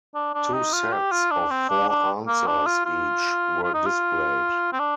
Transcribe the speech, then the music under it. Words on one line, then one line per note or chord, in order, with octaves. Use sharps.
Two sets of four answers each were displayed.
D4
D4
D#4
F4
G4
F4
D4
C4
D4
D4
A#3
D4
F4
F4
F4
D#4
F4
C4
D4